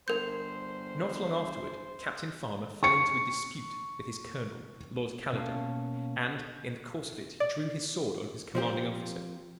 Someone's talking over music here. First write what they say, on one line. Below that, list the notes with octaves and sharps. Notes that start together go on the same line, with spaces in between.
Not long afterward Captain Farmer fell into a dispute with his colonel, Lord Caledon, and in the course of it he drew his sword on his commanding officer.
G1 A#4 C5 G6
C#6 C#7
B2 A#3 C#4 F5 A5
D5
F3 C4 G4